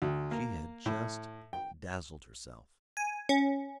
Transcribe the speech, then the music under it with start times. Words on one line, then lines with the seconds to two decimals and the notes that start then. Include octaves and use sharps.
She had just dazzled herself.
0.02 D2
0.31 A#3
0.86 A2
1.53 G5
2.97 G#5
3.29 C#4